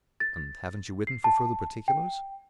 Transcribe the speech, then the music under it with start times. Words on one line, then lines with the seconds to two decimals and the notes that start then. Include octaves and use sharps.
"And haven't you written for further particulars?"
0.20 A6
1.07 C7
1.24 A5
1.88 G5